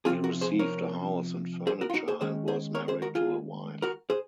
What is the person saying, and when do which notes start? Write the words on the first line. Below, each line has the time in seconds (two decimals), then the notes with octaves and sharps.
He received a house and furniture and was married to a wife.
0.05 C3 F3 C4 F4 G#4
0.24 F#4 A#4
0.41 G#4 C5
0.59 A#4 C#5
1.67 G#4 C5
1.81 F#4 A#4
1.90 F4
1.94 D#4 F#4
2.08 G#4 C5
2.21 D#3 G#3 C#4 G#4 C5
2.48 G#4 C5
2.75 A#4 C#5
2.88 G#4 C5
3.02 F#4 A#4
3.15 F4 G#4
3.82 F#4 A#4
4.10 G#4 C5